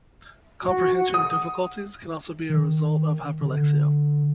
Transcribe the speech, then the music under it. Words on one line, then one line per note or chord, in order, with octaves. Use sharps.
Comprehension difficulties can also be a result of hyperlexia.
F#4
F#5
D#6
D#3
D3